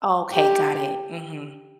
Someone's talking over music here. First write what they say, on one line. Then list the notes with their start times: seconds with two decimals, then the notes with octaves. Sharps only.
Oh, okay, got it, mhm.
0.34 G4